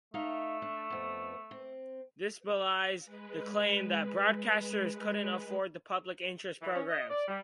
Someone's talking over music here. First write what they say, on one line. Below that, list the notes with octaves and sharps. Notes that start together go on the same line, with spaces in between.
This belies the claim that broadcasters couldn't afford public interest programs.
A3 D#4 E5 F5
D4
F2 B3
C4
G#3 B4
E3
C#4
D#5
D5
G3